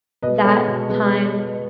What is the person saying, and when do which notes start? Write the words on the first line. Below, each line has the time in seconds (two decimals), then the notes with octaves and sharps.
that time
0.22 B2 B4 D#5
0.44 G#3 B3 A4 C#5
0.68 B2
0.90 G#3 B3